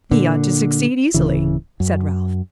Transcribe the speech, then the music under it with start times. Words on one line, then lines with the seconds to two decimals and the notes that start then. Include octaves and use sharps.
"He ought to succeed easily," said Ralph.
0.11 A#2 D3
1.14 D1 C#3 E3
1.80 F#2